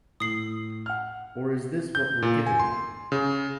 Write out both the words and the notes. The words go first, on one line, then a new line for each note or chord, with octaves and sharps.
Or is this what we're giving them?
A2 D#6 C7 F#7
F#5 F6
G6
A#2
G#5
C6
C#3